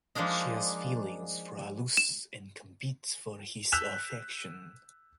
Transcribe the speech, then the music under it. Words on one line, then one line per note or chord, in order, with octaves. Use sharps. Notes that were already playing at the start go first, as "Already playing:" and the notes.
She has feelings for Alus and competes for his affection.
F3 G#3 A#3 D4 D#4
E7
E6 F#6 G6 B6 E7 F7